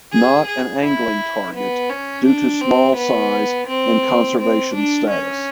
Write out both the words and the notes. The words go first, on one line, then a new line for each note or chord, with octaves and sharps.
Not an angling target due to small size and conservation status.
G#4
G#4
E4
B3
C#4
D4
C4
B3
C4
C4
D4
C#4